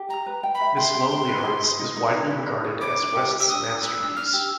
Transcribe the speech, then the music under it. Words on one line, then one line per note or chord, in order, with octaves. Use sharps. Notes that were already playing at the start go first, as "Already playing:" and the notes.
"Miss Lonelyhearts" is widely regarded as West's masterpiece.
Already playing: G4
G5 A#5
B4
G5
B5
E5
G5 C6
G5
G5
B4
G#4
D#4
D#4
D#4
D#4
B4
D#4
G#4
B4 D6
D4
G4
G4
E6
D4 D#6
D4
B4 E6
D4
D4 F6
G4 E6